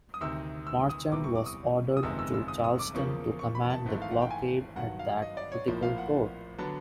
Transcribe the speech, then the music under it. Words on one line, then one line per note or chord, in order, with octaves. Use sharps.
Marchand was ordered to Charleston to command the blockade at that critical port.
D#6
D2 C3 D#3 E6
E6
D#6
E2 C3 E3 G3 D6
C#6
D6
D#6
D#6
G1 F2 C3 D#3 G#3 E6
E6
E6
D#6
D#6
D6
E2 C#3 F3 A#3 C#6
C#6
B5
A5
G#1 G#2 E3 A3
F5
F#5
G5
G#5
G2 D#3 F#3 F#5
F5
D#5
D5
C#5
A#1 A2 F3 A#3
F5
F#5
D3 F#3 B3 D4 A5